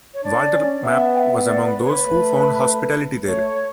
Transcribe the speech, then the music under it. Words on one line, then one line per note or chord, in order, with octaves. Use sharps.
Walter Map was among those who found hospitality there.
C#5
D4 D5
C#4
B3 E5
G5
E5
D5
B4
C#5
B4
A3
A3 C#5